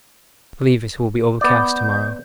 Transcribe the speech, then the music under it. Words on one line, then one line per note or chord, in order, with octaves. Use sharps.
I believe it will be overcast to-morrow.
B3 D5 G6